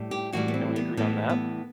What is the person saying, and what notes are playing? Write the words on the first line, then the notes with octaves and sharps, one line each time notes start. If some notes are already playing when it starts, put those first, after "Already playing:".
Can we agree on that?
Already playing: A2 G3
G4
A2 E3 G3 F#4
B3
C4
B3
A2 E3 G3 B3
B3